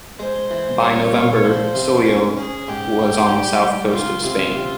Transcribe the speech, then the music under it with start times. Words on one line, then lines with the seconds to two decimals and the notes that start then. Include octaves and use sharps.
By November "Clio" was on the south coast of Spain.
0.19 G#3 C5
0.51 E3
0.81 C2 C#5
1.13 A#2
1.44 F3 C5
1.75 C3
2.06 C#4
2.37 C#4 G#4
2.68 G#2 G4
2.99 G#2
3.31 G3
3.62 G3
3.93 C#2 F4
4.24 C3 F4
4.56 C3